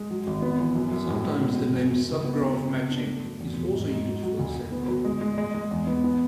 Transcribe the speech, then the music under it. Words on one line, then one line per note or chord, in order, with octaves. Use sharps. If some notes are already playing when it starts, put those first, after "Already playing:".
Sometimes the name subgraph matching is also used for the same problem.
Already playing: G#3
F#3
G#1
B3
E3
F#2
F#2
A2
G#3
B2
B2
F#2
F#2
C#2
B3
C#2
C#3
B3
D4
A3
F#2
E2
E1
G#2
G#2
F#3
F#3
D2
D2
B3
F#3
G#3
G#3
G#3
G#3
E2
B3
B3